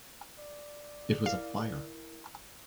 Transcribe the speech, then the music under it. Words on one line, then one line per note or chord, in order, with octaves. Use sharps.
It was a fire.
D5
E4 A#4 F5